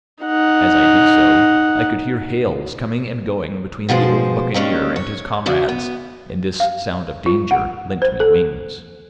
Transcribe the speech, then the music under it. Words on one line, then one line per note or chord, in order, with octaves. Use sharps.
As I did so, I could hear hails coming and going between the old buccaneer and his comrades, and this sound of danger lent me wings.
D#4 F#5
B2 F3 G#3 C5
D#2 D#3 C#4 D4
C#5
C#3 D4 F#4
B3
F5
F4
F#5
C5
A4